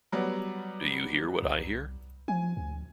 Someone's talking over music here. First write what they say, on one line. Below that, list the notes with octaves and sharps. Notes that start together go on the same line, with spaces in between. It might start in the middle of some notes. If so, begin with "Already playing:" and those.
Do You Hear What I Hear?
F#3 G3 B3
C2
F3 G#5
D2